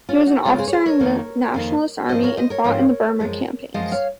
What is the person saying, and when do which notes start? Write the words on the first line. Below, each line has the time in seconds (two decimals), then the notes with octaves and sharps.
He was an officer in the Nationalist army and fought in the Burma campaigns.
0.09 C#4 F4
0.26 D#4 F#4
0.45 C#3 G#3 C4 F4 G#4
0.58 G#4 C5
0.68 C#5
0.72 G#4 C5
0.86 A#4 C#5
1.00 F2 D#3 A#3
1.54 F2 D#3 A#3
2.09 G#2 F3 C4 C5 D#5
2.23 A#4 C#5
2.37 C5 D#5
2.50 A#4 C#5
2.64 G#2 F3 C4 A#4 C#5
3.20 F#2 F3 G#3
3.74 F#2 F3 G#3 C5 D#5
3.92 C#5 F5